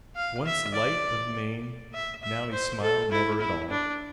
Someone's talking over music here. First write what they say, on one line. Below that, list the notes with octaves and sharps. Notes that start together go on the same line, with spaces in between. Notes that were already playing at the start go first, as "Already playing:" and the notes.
Once light of mien, now he smiled never at all.
F5
E5
D5
E5
E5
C5
A4
E4
E4
D4